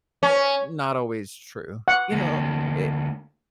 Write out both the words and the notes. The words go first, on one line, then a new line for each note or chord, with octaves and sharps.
uh, not always true. You know, it
C#4
F#5
D2 A#3